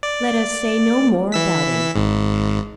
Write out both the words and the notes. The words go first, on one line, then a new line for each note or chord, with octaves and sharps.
Let us say no more about him.
D5
E3 E6 B6
G#1 G#2